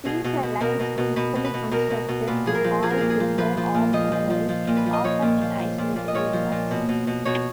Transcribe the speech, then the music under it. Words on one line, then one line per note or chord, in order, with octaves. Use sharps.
These were lines principally constructed to haul timber or minerals, often in isolated areas.
B2 G#4
B2
B2
B2 A#4
B2
B2
B2 B4
B2
B4
B2
B2 A#4
B2
B2
A#2 B4
F3 G#4
A#4
F3
F3 G#4
A#4
A#2 G#4
G#4
F3
F3 B4
F3
A#2
F3 D#5
F3
F3
F3
A#2
B4
F3
D#5
F3 C#5
A#2
F3
F3
A#2
A#2
D#5
A#2 C#5
F3
A#2
B2
B2
B2
B2 C#5